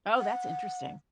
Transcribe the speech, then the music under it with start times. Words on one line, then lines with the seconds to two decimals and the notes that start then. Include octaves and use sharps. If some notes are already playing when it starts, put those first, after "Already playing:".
Oh, that's interesting.
0.18 F#5